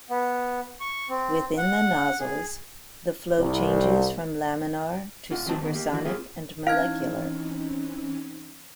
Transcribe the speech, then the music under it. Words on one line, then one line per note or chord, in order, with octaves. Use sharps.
Within the nozzles, the flow changes from laminar, to supersonic and molecular.
B3
C#6
C4
F#5
G#4
C2
A#2 F4 F#5
E2 B2 D#3 F#3 C4 A5
D#3 B3
A#3 G4
D#2 E3 F#4
A#3 C4 F4 G4 G#4
E3 C4 C#4 D#4 E4 F5 F6 G#6